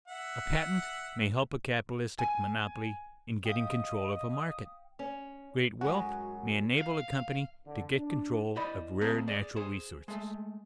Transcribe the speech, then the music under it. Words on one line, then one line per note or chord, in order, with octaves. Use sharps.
A patent may help a capitalistic monopoly in getting control of a market; great wealth may enable a company to get control of rare natural resources.
E5 F#5
G#5
D#5 F5 G5 D#6
C#4
F#2 G#3 F#4
F5
D3
D4
E4 C5 D5 D#5 B5
A3 A#3 C4 G#4 B4
G#4 D5
G#4 C5
G#3 A3